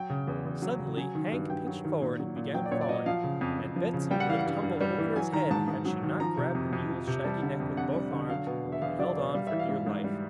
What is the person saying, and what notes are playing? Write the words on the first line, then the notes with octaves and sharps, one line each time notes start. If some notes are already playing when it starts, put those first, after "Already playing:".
Suddenly Hank pitched forward and began falling and Betsy would have tumbled over his head had she not grabbed the mule's shaggy neck with both arms and held on for dear life.
Already playing: F#3 G5
C#3
E2
E2
F#3
C#3
F#3 G#5
D#3
G2
G2 G5
F#3
D#3
A#2
F#3
A#2
F#3 G5
D5
A#2 C#5
D5
F#3 D#5
F3 F5
C#3
F2
F2
F3
C#3
G3 G5
F#5
E3 F5
F#5
G2
G2
G3
E3
F#3 G#5
D#3 A#5
G#2 A5
G#2
F#3
D#3
F3 A#5
C3
F2
F2
F3
C3
G3 A5
D3
F2
F2 F#5
G3
D3
F#3 F5
B2
E2
E5
E2 F5
F#3 D5
B2 D5
G3 F5
E5
E3
F5
G#2
G#2
G3